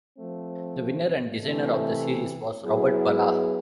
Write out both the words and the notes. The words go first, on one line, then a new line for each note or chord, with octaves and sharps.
The winner and designer of the series was Robert Ballagh.
F3 A3 C4
C3 E3 A3
F#3 B3 E4 G#4